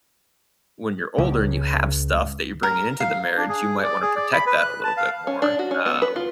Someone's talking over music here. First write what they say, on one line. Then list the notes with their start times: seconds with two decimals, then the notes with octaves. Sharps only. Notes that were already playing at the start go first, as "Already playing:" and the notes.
when you're older and you have stuff that you're bringing into the marriage, you might wanna protect that a little bit more, um,
1.18 C#2
2.63 A#4
3.00 F5
3.37 D4
3.49 G#4
3.83 D5
4.02 G#4
4.16 D5
4.33 B5
4.47 B4
4.60 F#6
4.84 A5
4.97 F5
5.27 C#4
5.42 D4
5.59 F#4
5.71 C#4
5.86 B3
6.02 B4
6.16 F4